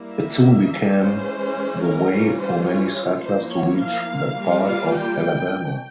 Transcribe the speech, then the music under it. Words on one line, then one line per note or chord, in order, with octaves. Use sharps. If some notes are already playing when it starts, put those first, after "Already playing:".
It soon became the way for many settlers to reach that part of Alabama.
Already playing: G3 A#3 E4
E5
E3 G#3 C#4 C5
A#4
E3 G3 C#4 F4
C5
C#5
F3 A#3 E4 C5
C#5
F5
G3 A#3 F4
F5
G5